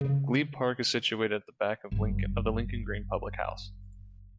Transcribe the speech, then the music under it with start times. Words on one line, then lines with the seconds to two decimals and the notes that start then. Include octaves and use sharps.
Glebe Park is situated at the back of the Lincoln Green public house.
0.01 C#3
1.91 F#1 G2